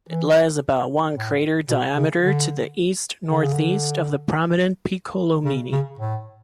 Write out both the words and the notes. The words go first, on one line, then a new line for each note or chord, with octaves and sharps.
It lies about one crater diameter to the east-northeast of the prominent Piccolomini.
E3
A2
B2
C#3
D3
D3
C#3
D3
C#3
C#3
A2